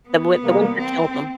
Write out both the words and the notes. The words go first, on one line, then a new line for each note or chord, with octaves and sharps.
the win the winter killed them.
B3
C3 E3 G3 A#3
C4